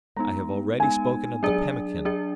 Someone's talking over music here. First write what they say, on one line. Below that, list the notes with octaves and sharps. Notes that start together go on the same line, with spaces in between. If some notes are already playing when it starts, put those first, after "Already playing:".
I have already spoken of the pemmican.
G#3 B3 D#4 A#5
G#3 B3 D#4 G#5
F#3 D4 G#4 D5
F#3 D4 G#4 D5